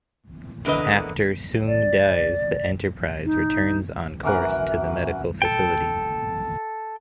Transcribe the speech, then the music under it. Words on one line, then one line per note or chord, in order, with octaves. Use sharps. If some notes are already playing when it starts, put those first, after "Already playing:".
After Soong dies, the "Enterprise" returns on course to the medical facility.
E2 D3 A#4 B4 D#5
D5
D#4
F#2 E3 A#4 F#5
A4 G5